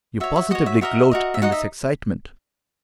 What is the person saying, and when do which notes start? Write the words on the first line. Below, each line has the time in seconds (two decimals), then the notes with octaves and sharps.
You positively gloat in this excitement.
0.20 F#4 C#5 E5
0.36 E5
0.51 F#4 C#5 D#5
0.66 E5
0.81 F#4 A#4 D#5 E5
1.11 F#4 A#4 D#5
1.34 E5
1.42 D#4 F#4 D#5 F#5
1.52 E5